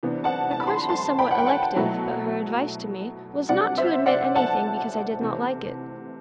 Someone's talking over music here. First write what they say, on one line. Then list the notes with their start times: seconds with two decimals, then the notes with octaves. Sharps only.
The course was somewhat elective, but her advice to me was, not to omit anything because I did not like it.
0.03 C3 E3 B3 D4
0.24 F#5 A5
0.51 A5
0.60 B5
0.67 A5 C6
0.89 A5 C6
1.19 G5 B5
1.31 F#5
1.38 G5
1.46 F#5 A5
1.76 B2 F#3 A3 E4
3.49 C2 C3 G3 D4 D5 F#5
3.77 C5 E5
4.06 D5 F#5
4.36 F#5 A5
5.21 C3 E3 A3